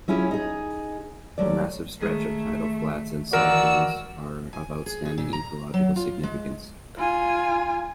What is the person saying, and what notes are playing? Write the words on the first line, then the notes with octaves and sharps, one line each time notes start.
The massive stretch of tidal flats and saltings are of outstanding ecological significance.
F#3 C#4 E4 F4 G#4
D#4 G#4
D#2 F#3 A3 D5
D#3 G#3 A3 G#4
D#3 E3 F#4 A#4 D5 F5 E6
G#5
G#4
G#4
A#2
A#5
F#3
F4
G#3
F4 G#5